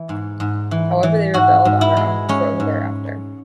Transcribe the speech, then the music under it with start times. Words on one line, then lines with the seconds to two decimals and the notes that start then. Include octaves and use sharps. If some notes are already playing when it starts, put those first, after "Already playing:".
However, they rebelled on their own shortly thereafter.
Already playing: E3
0.09 G#2
0.40 G#2
0.71 E3
1.03 E3
1.34 G#2 F#4
1.65 G#2
1.81 E4
1.97 G#3
2.29 G#3 C#4
2.60 G#2